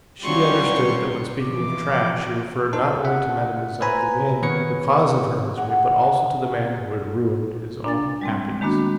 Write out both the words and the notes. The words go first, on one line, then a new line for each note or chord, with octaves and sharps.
She understood that when speaking of "trash" he referred not only to Mademoiselle Bourienne, the cause of her misery, but also to the man who had ruined his own happiness.
F#3 G3 C4 C#4 F4 C6 C#6
B2 E3 F3 D6
D#4 A4 C5 A5
E5 F#5
B4 C5 E5 G#5 A#5 B5
D#3 B3 B4 C#5 C#7
G#4 D#5 F#5 G#5
D4 A6
G3 G#3 C4
D#3 G#3 A#3 B3 D4 F#4